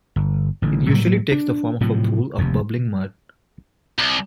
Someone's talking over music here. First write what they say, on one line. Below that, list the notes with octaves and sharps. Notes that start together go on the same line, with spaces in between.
It usually takes the form of a pool of bubbling mud.
G1
A1 D3
A2 F#3 G3 A#3
D4
A2 C3 F3 F#3
F1 D#2
C2